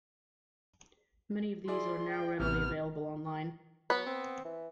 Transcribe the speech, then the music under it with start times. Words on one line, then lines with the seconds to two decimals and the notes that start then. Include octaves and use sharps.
Many of these are now readily available online.
1.68 E4 G#4 D5 C6
2.10 G5
2.40 A1 C3 B3 F6
3.90 F#3 B3 B4
4.07 C4
4.45 E3